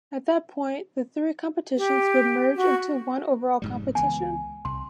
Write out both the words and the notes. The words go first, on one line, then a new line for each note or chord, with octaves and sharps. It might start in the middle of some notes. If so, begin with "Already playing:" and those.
At that point, the three competitions would merge into one overall competition.
G4
F#4
F1 G#2 G3
C#2 E3 B3 G#5
C2 C6